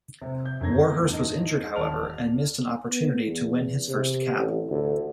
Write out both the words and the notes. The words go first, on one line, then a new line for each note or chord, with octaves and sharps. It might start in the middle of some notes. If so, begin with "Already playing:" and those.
Warhurst was injured, however, and missed an opportunity to win his first cap.
C3 C4
G6
F#2 D3 G#6 A#6
E2 A2
D4 D#4 D#5
D#1 D5 A5 F6 F7
B3
E2
C3
A1
D2